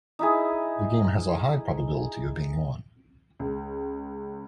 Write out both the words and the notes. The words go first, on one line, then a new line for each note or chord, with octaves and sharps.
The game has a high probability of being won.
D#4 E4 G#4
C#2